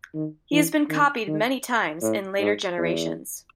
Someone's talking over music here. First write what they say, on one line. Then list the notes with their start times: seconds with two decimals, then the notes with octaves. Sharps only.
He has been copied many times in later generations.
0.14 D#3
0.52 E3
0.89 D#3
1.27 D#3
2.02 A2
2.40 G#2
2.78 E2